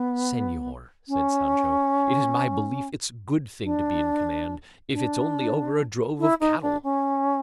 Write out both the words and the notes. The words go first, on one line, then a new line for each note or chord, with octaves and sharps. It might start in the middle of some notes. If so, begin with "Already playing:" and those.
"Senor," said Sancho, "it is my belief it's a good thing to be in command, if it's only over a drove of cattle."
Already playing: B3
C#4
D4
D4
E4
D#4
D4
C#4